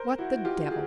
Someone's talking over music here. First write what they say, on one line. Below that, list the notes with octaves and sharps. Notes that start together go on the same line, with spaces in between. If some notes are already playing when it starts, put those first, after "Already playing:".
What the devil!
Already playing: A#4 C5
E4 F#4
F#4
F4 G4
F#4 G#4